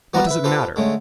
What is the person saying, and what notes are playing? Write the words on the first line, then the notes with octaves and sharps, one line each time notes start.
What does it matter?
G3 B3 F#4 D5 F#5 A#5
B4 E5
F4 G4 A4 B4 C5
D3 G#3 A3 C#4